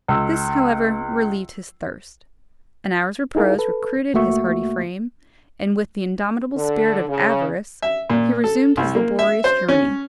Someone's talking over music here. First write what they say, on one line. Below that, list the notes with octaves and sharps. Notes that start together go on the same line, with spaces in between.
This, however, relieved his thirst; an hour's repose recruited his hardy frame, and, with the indomitable spirit of avarice, he resumed his laborious journey.
C#2 E6
D#4 E4 G#4 A#4 F5
A4 B4
C#2 A3 A#3 F#4 E5 C#6
D3
C#3
E5
A#2
A4
C2
A#3
E5
C5
C#4